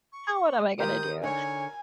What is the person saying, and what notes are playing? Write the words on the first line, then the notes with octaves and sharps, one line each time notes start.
“Now, what am I gonna do?"
C#6
D#3 G4 A#4 C5 D#6 G6
D3 D#4 C#5 G#5